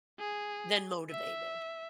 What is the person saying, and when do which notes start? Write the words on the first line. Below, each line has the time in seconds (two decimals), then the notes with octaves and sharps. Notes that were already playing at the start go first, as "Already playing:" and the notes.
than motivated?
0.19 G#4
1.10 E5